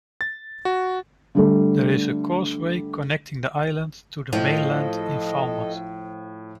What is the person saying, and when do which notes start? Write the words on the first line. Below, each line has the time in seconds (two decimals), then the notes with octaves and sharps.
There is a causeway connecting the island to the mainland in Falmouth.
0.21 A6
0.65 F#4
1.35 D3 G3 A3
4.33 A2 F3 A4 D#5